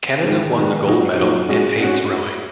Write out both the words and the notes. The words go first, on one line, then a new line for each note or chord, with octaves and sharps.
Canada won the gold medal in eights rowing.
G#2 D#3 G#3
G#2 D#3 G#3
A#2 F#3 D#4 F#4
A#2 F#3 D#4 F#4
G#2 G#3 C#4 F#4
G#2 G#3 C#4 F#4